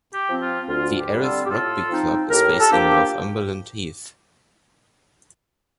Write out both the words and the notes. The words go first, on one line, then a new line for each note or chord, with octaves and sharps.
The Erith Rugby Club is based in Northumberland Heath.
G4
F3 C4
F4
D2 F4
G4
D3 G3 C4
F4 A4
G4
A2 F4 A4
F3 C4 D#4
A2 G4 A#4
A4
F3 A#3 D4 G4